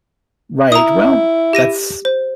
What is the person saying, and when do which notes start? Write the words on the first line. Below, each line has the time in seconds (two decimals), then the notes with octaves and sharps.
Right. Well, that's
0.72 E4 A#5 D#6
1.53 G4 A#6 D#7
2.05 C5